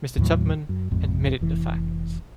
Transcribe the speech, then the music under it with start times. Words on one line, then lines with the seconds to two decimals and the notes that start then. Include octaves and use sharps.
Mr. Tupman admitted the fact.
0.18 D#2 A2 D#3 F#3
0.69 F#2
0.91 A1 F2 G#2
1.41 F1 E3